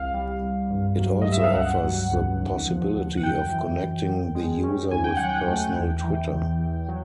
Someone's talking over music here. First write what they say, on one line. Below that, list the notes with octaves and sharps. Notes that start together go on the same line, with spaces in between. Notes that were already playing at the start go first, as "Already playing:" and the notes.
It also offers the possibility of connecting the user with personal Twitter.
Already playing: C2 F5
G3
C2
G2
F#3
D#5
G2
E5
F5
C#2 F#5
F#3
C#2
D#2
F3
D#2
F#5
F#2 G5
E3
F#2
F#2
G#3
C#4
D#2 G#5
G5
F#3 F#5
G5
A3
E2
E3
E2
E2
F#3